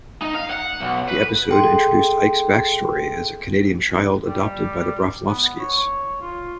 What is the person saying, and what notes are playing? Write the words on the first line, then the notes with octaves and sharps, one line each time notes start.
The episode introduced Ike's backstory as a Canadian child adopted by the Broflovskis.
D#4
F5
F#5
B1
B4
G#4 A4 G5 C6
G3
B3
C#5
F4